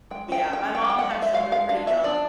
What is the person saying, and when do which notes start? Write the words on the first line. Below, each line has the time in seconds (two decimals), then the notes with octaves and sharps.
Yeah, my mom had children pretty young,
0.11 G#3 G5
0.28 C#4 G5
0.46 C#4
0.53 G5
0.63 C#4
0.75 G5
0.81 G#3
0.90 G5
0.99 G#3 F#5
1.11 F5
1.17 G#3
1.22 E5
1.34 G#3 F5
1.52 G#3 F5
1.69 D4 F5
1.87 B3 E5
2.04 D4 D5